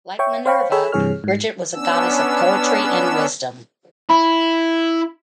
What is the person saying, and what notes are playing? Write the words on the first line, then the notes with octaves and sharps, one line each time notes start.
Like Minerva, Bridget was a goddess of poetry and wisdom.
C#5 E5 G5 C#6
C5 C#5 F5 G5 B5 C#6
G#4 A4 C#5 B5 E6
G2 C3 E3 G#4 C#5 F6
G#2 C7
B3 C#4 D4 E6
E4 B5